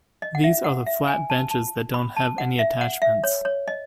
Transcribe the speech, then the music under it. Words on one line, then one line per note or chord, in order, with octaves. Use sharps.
These are the flat benches that don't have any attachments.
D#5
F#5
E5
F#5
E5
G#5
A5
A5
B5
A5
F#5
E5
F#5
E5
C#5
C#5
D#5